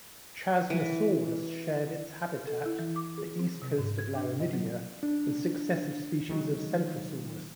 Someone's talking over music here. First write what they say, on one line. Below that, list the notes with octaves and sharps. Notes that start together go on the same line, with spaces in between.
"Chasmosaurus" shared its habitat, the east coast of Laramidia, with successive species of "Centrosaurus".
E3
A4
E4
E3
D6
G#4
C4
C3
G#2
G#6
D4
D#5
F#3
D4
D#3 F#3 G#3